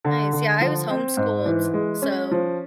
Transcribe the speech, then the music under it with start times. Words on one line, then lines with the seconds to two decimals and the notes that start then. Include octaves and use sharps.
Nice. Yeah, I was homeschooled. So,
0.04 D3
0.33 D3
0.61 F3
0.90 C4
1.17 G#2
1.46 E3
1.74 G#3
2.02 C#4
2.31 F3